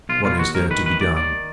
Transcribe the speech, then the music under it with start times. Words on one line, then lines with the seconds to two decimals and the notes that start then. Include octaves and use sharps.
What is there to be done?
0.09 B1 F4
0.24 B2 F4
0.39 D#2 F#4
0.55 D#3 A#4
0.70 D#3 B4
0.86 D#2 B4
1.01 D#2 D5
1.17 D#3 D5